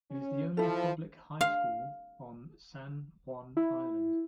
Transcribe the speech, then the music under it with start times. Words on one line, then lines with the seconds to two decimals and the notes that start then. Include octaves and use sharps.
It is the only public high school on San Juan Island.
0.11 C#4
0.57 F3 E4 A4
1.41 F5
3.57 E4